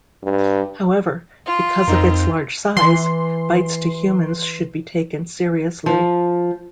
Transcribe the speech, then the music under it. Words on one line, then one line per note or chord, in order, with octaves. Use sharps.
However, because of its large size, bites to humans should be taken seriously.
G2
F4
F2 C4 D#4 A#4
E3 C6
F3